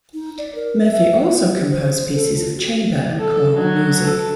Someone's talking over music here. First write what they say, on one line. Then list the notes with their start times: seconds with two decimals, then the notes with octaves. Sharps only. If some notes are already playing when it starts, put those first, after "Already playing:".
Murphy also composed pieces of chamber and choral music.
0.14 D#4
0.38 D5
0.55 A#4
0.84 E5
1.27 E4
1.55 G4
1.69 C5
2.14 A4
2.40 F4
2.56 F#4
3.21 A4
3.58 F#3
4.04 A4